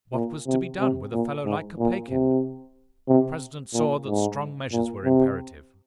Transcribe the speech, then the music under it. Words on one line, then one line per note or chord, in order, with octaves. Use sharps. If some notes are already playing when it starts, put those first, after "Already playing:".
What was to be done with a fellow like Kopeikin? The President saw that strong measures were imperative.
A#2
C3
C3
A#2
G#2
A#2
C3
C3
A#2
G#2
A#2
C3